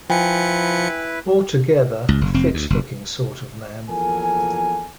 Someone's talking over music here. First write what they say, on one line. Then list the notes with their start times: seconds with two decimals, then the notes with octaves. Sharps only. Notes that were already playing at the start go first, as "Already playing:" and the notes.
Altogether a fit-looking sort of man.
0.10 F3 E4 B4 G5 G#5 C#7
2.09 C#2
2.21 F#1
2.34 F1 C4
2.54 D2
2.70 F#1
3.89 E2 F3 A#3 A4 A#4 G#5